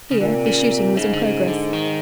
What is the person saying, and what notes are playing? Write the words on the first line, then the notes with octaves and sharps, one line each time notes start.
Here the shooting was in progress.
C#3
A#2 D3
C3
C#3
C3
G#2 C#3
D3
C#3
D3
D#3